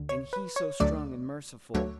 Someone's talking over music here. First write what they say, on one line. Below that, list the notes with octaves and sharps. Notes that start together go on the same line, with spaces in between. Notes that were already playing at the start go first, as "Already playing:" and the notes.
And He so strong and merciful.
Already playing: D2 D3
C#5
B4
C#5
D2 D3 F#3 A3 D5
D2 D3 F#3 A3 C#5